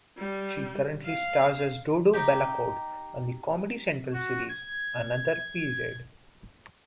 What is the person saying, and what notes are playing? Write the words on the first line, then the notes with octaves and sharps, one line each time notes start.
She currently stars as Dodo Bellacourt on the Comedy Central series "Another Period".
G3
F5
D#4 G4
F#4
G#6